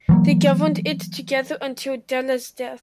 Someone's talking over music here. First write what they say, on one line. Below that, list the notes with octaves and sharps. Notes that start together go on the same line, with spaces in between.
They governed it together until Dela's death.
E3 F#3 A#3